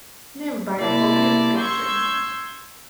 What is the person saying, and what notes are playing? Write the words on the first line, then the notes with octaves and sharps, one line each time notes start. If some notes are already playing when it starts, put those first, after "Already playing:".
Never buy a copy of a picture.
C3 A#3 E4 D5 A5
C6 C#6 E6 G6 G#6